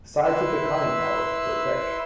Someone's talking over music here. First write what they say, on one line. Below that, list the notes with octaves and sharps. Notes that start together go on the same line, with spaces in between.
The sides of the conning tower were thick.
E4 B4 C6 E6